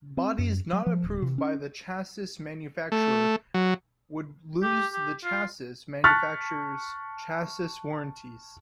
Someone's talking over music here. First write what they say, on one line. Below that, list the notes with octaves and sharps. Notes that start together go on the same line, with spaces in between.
Bodies not approved by the chassis manufacturer would lose the chassis manufacturer's chassis warranties.
C4
F#2
F#3
F3
D1
C3
C#4
A3
F#3
G4
G4
F4
A5 C#6 F6 F#6 A6 B6